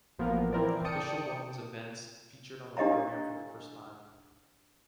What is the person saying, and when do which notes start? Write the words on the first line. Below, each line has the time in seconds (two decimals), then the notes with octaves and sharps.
Official women's events featured on the programme for the first time.
0.19 A1 F3 A#3 B3 A#4
0.53 E3 C4 E4 A#4 C5 D5
0.84 D5 G5 A5 D#6 C#7 D7
2.77 D4 G4 D#5 F5 A#5